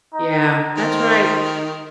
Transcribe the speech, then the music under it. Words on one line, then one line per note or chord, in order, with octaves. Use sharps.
Yeah, that's right.
D#4
D#3 C5